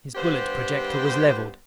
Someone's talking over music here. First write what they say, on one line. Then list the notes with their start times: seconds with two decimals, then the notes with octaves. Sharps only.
His bullet projector was leveled.
0.16 G2 B3 G4 C5